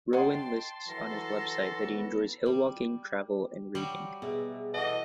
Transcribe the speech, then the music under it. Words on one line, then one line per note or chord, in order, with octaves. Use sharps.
Rowen lists on his website that he enjoys hill-walking, travel and reading.
C#5 D#5 F#5 G5 A5 C6
E3 F#3 A4 A#6
B3
G3
F#3 G3
B2 B3 G#4 E5
E3 A4 B4 D#5 E5 F#5